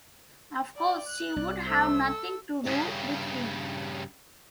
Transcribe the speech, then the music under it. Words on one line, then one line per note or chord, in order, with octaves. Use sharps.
Of course, she would have nothing to do with him.
D5 G5
F#6
C2 D5
A3 C5 E6
A4
G2 C#3